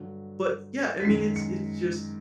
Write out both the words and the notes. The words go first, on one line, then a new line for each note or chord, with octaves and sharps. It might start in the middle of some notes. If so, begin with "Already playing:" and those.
but, yeah, I mean, it's it's just
Already playing: G2 D3 F#3
B6
F#2 D#3 G#3 C7
C#7